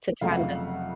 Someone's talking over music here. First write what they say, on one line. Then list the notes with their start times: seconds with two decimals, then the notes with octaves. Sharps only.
to kinda
0.21 F1 F2 C#3 F#3 A3 F5
0.31 F#5
0.40 F5